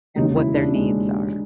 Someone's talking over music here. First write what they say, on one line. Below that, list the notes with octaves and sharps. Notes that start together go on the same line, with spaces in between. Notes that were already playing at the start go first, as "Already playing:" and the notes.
and what their needs are.
E1 D#2 C#3 D#4
E4
D4
G#3